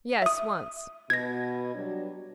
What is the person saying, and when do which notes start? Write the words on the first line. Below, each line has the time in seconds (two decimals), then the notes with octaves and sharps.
"Yes, once."
0.22 E5 D#6
1.10 B2 G#6 A#6
1.74 F#3 G3 D4